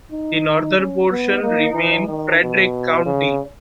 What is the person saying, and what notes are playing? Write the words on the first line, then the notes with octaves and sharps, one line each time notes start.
The northern portion remained Frederick County.
D#4
C#4
B3
A#3
E3
D#3
B2
C#3